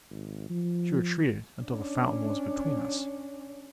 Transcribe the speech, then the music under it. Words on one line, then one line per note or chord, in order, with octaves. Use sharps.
She retreated until the fountain was between us.
G#1
F3
C#4 D4